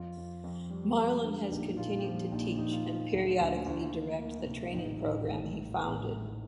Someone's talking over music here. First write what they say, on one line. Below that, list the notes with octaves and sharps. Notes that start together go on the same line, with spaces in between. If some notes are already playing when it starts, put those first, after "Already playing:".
Marlan has continued to teach and periodically direct the training program he founded.
Already playing: F2 F4
F2
F2
G3
F2
D3
A#1 D#4 G4
A#2 F4
G4
F3 F4
A#1 D#4
A#1 D#4
F4
F3
D2
D2
D2
D2
A#3
C3
A1 D#4
A2
A1
A2
A2